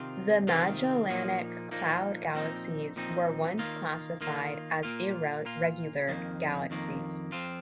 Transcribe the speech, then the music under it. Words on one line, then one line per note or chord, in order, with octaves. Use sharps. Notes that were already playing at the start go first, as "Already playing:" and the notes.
The Magellanic Cloud galaxies were once classified as irregular galaxies.
Already playing: C3 D#3 C4 F4
C3 D#3 C4 F4
A#2 F3 A#3 D#4
A#2 F3 A#3 D#4
A#2 F3 C4 D#4
A#2 F3 C4 D#4
D#3 A#3 F4
D#3 A#3 F4
A#2 A#3 F4
A#2 A#3 F4
F2 D#3 A#3
F2 D#3 A#3
F2 F3 C4 F4